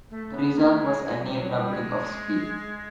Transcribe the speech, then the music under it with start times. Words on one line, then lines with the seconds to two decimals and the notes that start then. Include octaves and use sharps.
The result was a near-doubling of speed.
0.11 A3
0.34 B3
0.57 A#3
0.75 A3
0.80 G#3
1.03 G#3
1.22 F#3
1.26 G3
1.38 F#3
1.49 G3
1.73 G#3